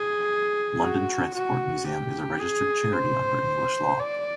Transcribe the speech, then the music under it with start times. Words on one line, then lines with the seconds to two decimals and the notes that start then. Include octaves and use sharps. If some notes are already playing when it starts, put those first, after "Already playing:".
London Transport Museum is a registered charity under English law.
Already playing: G#4
0.81 F#4
1.34 F#4
1.87 G4
2.40 G#4
2.93 C5
4.00 D5